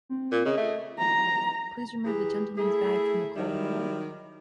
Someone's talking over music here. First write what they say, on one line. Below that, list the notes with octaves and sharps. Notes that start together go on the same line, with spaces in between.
Please remove the gentleman's bag from the coal hole.
C4
A#2
C#3 D#5
A3
A#5
E3 G4 G#4
A3 E4 G#4
D#3 F#3 G3 E4